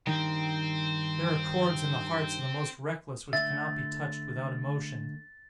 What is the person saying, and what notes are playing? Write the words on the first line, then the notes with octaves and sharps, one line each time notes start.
There are chords in the hearts of the most reckless which cannot be touched without emotion.
G2 D#3 C4
D3 A3 E5 A6